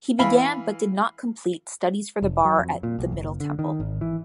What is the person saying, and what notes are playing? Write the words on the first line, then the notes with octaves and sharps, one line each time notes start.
He began, but did not complete, studies for the Bar at the Middle Temple.
E3 F5 B5
F1
F#3
F2
A#2
B1
F#1
D3
D#3
G#1
E3